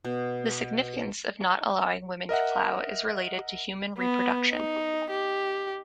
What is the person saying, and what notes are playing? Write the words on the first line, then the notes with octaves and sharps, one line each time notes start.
The significance of not allowing women to plough is related to human reproduction.
B2
A#4 D#5 E5 F#5
B3
D#4
G4